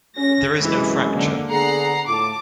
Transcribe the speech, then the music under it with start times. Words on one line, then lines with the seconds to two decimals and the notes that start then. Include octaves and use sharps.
There is no fracture.
0.17 C#4 A#6
0.60 F#2 C3 E3 G#3
1.12 D3 A#3
1.50 D3 B3 G#4 F#5 A#5 C7
2.07 A2 F4 A5 D6